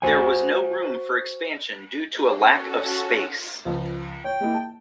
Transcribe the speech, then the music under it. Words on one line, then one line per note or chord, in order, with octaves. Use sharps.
There was no room for expansion due to a lack of space.
F#4 C5 F#5 G#5
C#4 F#4 A4
C#2 F3
C#5 G5
G#3 A#3 E4
A5